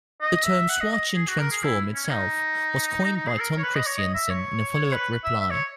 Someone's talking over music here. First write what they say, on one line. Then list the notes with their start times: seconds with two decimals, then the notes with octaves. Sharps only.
The term "Schwartzian Transform" itself was coined by Tom Christiansen in a follow-up reply.
0.22 D#5
0.45 E5
0.69 F#5
0.80 D#5
0.92 D#5
1.15 G#4
1.28 F#4
1.39 A#4
1.51 G#4
1.63 E4
1.94 C#4
2.05 C#4
2.10 D#4
3.04 D#4
3.16 D#4
3.27 G#4
3.40 A#4
3.51 A#4
3.58 C#5
3.63 B4
3.75 D#5
3.86 C#5
3.98 D#5
4.14 E5
4.30 C#5
4.92 B4
5.24 E5
5.40 E5
5.51 C#5